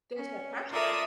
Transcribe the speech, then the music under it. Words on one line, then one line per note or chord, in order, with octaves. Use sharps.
There's no pressure.
C#4
F4 A4 A#4 D5 E5 D#6